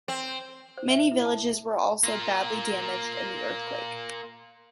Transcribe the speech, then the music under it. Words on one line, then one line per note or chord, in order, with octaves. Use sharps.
Many villages were also badly damaged in the earthquake.
C4
C5
E5
E4
A5
A#3 F4